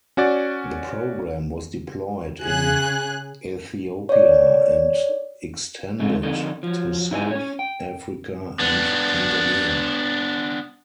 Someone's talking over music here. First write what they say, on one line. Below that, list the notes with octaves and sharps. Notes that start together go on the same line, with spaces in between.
The programme was deployed in Ethiopia and extended to South Africa and Tanzania.
C#4 F#4 D5
C#3 G#4 F#6
C#5 D5
C#3 G#3 A3 C4 D#4
F2 D3 C4 D#4 A4 D#5
F3 F#3
D#4 E4 G4 D#5 G#5
C#4 C#5
G5
B3 D4